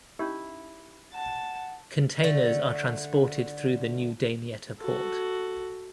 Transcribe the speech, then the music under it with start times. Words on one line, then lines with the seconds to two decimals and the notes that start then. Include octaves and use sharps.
Containers are transported through the new Damietta Port.
0.19 C#4 D#4 E4 G4
1.13 F#5 A5
2.24 D3 A3
4.80 F#4 A4